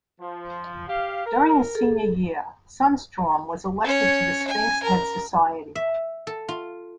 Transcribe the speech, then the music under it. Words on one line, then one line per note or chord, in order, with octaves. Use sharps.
During his senior year, Sundstrom was elected to the Sphinx Head Society.
F3
G4 F5
A#4
G#4 A4
C#4 C#5
G#5
A#4
E5
A4
F4